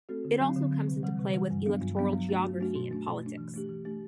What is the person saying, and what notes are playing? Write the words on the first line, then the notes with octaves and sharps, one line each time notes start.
It also comes into play with electoral geography and politics.
A3 C4 F#4 A4
D3
F#3 C4
D3
F#3 C4
C3
E3 G3
C3
E3 G3
G2
F#3 B3 D4
G2
F#3 B3 D4
F#3
A3 D4 F#4
F#3
A3 D4 F#4
B2
A3 D4
B2
A3 D4
E3
A3 D4 G4
E3
A3 D4 G4